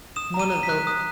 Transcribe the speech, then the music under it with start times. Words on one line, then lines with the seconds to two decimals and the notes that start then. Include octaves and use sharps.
one of the l
0.16 D#6 E7
0.34 A#5
0.39 D#7
0.52 A#5
0.63 B6
0.69 F#6
0.87 D#6